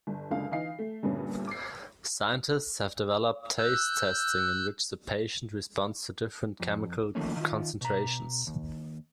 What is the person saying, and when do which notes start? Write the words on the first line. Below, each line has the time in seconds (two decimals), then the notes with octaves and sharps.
Scientists have developed taste testing in which the patient responds to different chemical concentrations.
0.07 G1
0.31 F#1 C#2 D3 F5
0.51 E3 D#4 F5 C7
0.79 A3
1.03 D2 G2 A#2 B3 C#4
1.47 D6 C7
3.58 E6 F#6 G6
6.60 F2
7.15 D3 D#3 F3 A3 A#3 C#4
7.36 D#3 F4
7.81 B2 A#5
8.47 D#2